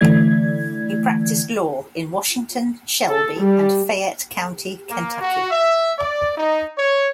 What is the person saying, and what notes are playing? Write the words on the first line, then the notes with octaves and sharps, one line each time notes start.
He practiced law in Washington, Shelby, and Fayette County, Kentucky.
D3 E3 A3 E4 D5 G#6
A4
G3
A#3
F#4
E5
D5
D#4
C#5